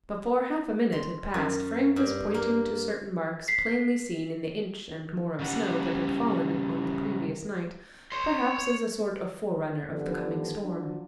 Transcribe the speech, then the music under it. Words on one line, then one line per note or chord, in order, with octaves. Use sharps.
Before half a minute had passed, Frank was pointing to certain marks plainly seen in the inch and more of snow that had fallen on the previous night, perhaps as a sort of forerunner of the coming storm.
C6
F#2
G2
A#3
B6 C7
C#3 G3 F#5
C#5 C6
G2 D3 F3 B3 D5
F3 F#3 D4